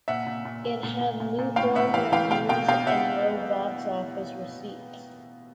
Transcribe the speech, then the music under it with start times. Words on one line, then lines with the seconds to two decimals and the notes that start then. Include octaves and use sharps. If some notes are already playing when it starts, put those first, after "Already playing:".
It had lukewarm reviews and low box-office receipts.
0.08 A#2 E5 F#5
0.26 A#2
0.45 A#2
0.64 A#2
0.83 A#2
1.01 A#2
1.20 A#2
1.38 A#2
1.56 A2 F5 G5
1.75 A2 E5 F#5
1.94 E3 F5 G5
2.12 E3 F5 G5
2.31 B2 F5 G5
2.49 B2 F5 G5
2.68 B2 F5 G5
2.86 B2 E5 F#5